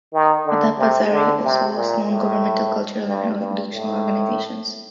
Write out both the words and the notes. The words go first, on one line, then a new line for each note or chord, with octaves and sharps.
Adapazari also hosts non-governmental cultural and educational organizations.
D#3
D3
C3
D3
C3
A#2
A2
G2
G2
A2